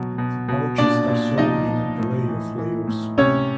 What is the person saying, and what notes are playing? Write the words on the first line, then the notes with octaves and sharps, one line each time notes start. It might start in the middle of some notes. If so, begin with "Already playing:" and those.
The pouches are sold in an array of flavors.
Already playing: B2 F#3
B2
B2
A#2 D4 D5
A#2
F3 D#4 D#5
F3
A2
E3
E3
A2
C3 C#4 C#5